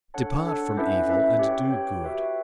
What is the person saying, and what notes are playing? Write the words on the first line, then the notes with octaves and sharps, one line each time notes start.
Depart from evil, and do good.
D4 A4 C#5 F#5 A5
D4 A4 C#5 F#5 A5
C#4 E4 B4 E5
C#4 E4 B4 E5
G4 C#5 G5
G4 C#5 G5
F#4 B4 E5